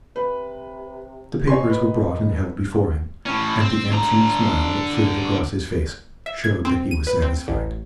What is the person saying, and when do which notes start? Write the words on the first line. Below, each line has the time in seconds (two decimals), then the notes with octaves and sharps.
The papers were brought and held before him, and the answering smile that flitted across his face showed that he was satisfied.
0.16 C3 B4
1.47 D#3 C#5 G#5 C6
1.70 B4
3.26 A2 C#4
3.61 C4
3.92 D3 A#5
6.26 E5
6.44 G#6
6.65 C4
6.91 D#7
7.07 B4
7.22 C4
7.48 A1